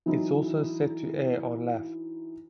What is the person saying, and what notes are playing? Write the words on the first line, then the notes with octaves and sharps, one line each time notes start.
It's also set to air on Laff.
E3 F#3 D#4 E4